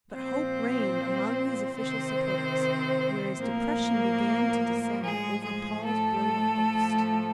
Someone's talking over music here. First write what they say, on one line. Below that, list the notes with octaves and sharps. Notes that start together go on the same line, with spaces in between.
But hope reigned among his official supporters, whereas depression began to descend over Paul's brilliant host.
A#2 F3 C4 C5
C3 D#3 C4 C5
A2 F3 A#3 A#4
A2 F3 G#3 G#4
G#3 G#4
A3 A4
A2 F3